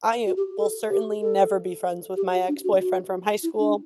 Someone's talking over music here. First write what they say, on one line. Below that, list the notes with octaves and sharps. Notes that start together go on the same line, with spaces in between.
I will certainly never be friends with my ex-boyfriend from high school.
F#4
G4
A4
G4
A4
G4
F#4
D4
F#4
F#4
E4
D4